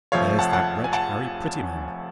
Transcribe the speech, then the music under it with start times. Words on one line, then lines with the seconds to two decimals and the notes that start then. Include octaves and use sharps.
There's that wretch Harry Prettyman.
0.12 F1 F2 F3 A3 C#5 F5
0.39 F#5 A5
0.52 F#5 A5
0.84 G#5
0.93 F#5 A5